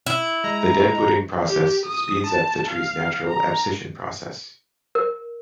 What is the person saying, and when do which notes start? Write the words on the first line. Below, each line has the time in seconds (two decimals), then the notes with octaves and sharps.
The deadwooding process speeds up the tree's natural abscission process.
0.06 E4
0.44 G#3 A#5
1.48 G4
1.86 D#6
2.26 A5
2.68 F5
3.27 A#5
4.95 A#4